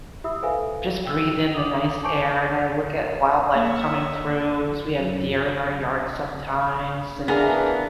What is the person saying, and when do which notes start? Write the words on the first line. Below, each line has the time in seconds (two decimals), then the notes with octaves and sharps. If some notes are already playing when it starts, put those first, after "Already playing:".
just breathe in the nice air and I look at wildlife coming through 'cause we have deer in our yard sometimes and
0.24 E4 G4 E5 B5 D#6 E6
0.43 A4 B4 C5 E5 F5 G#5
1.06 G5 E6
1.52 D6 D#6 F7
2.03 G#5 A5 C#6 D6 G6 D7
3.55 A#3 C#5 E5
4.98 F#2
7.28 E3 B3 D4 G#4 A#4 F5